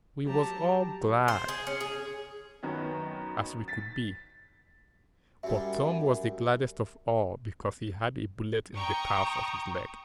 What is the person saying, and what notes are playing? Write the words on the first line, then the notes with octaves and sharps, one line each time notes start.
We was all glad as we could be, but Tom was the gladdest of all because he had a bullet in the calf of his leg.
F#3 G4 A5 A#5
C5
G#4
C#4
G#4
F#2 D#3 B3 C#4
A6 B6
F#2 G3 E5
G5 A#5 C#6 D#6